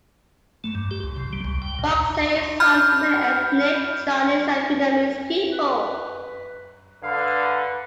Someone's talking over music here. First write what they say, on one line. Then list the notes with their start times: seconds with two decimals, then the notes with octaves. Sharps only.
Pakse is home to many ethnic Chinese and Vietnamese people.
0.64 A3
0.75 G2
0.91 G4
1.04 C#2
1.17 C3
1.33 G3
1.45 C#2
1.62 G5
1.79 A#2
1.94 D2
2.15 G#5
2.60 B5 F6 G6
5.51 B4
7.03 D3 B4 F5